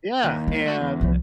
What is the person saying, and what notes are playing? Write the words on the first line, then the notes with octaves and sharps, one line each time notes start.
Yeah, and
D#2
G#3
A3 F#4
E2
C2 F3